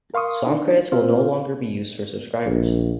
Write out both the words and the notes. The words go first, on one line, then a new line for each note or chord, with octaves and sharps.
Song credits will no longer be used for subscribers.
A#4 F5 C6 C#6 D#6
D4 D#4
C4 F4 C5 F5
A#1